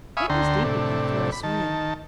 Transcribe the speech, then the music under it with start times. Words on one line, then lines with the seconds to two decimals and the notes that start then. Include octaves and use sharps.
It was deep enough for a swim.
0.17 E5 F5 G#5 B5 C#6 D#6
0.30 D2 D3 G5 A#5 C6
0.64 A2 C3 D4
1.32 B5
1.43 D#3 A5